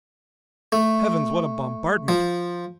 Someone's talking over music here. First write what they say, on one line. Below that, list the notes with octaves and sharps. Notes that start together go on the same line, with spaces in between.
Heavens, what a bombardment!
A3
F3